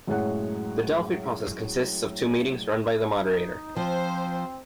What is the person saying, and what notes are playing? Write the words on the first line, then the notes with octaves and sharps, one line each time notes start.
The Delphi process consists of two meetings run by the moderator.
F#2 A2 F#3 G#3 C#5 F#5
D#4
F3 C4 C5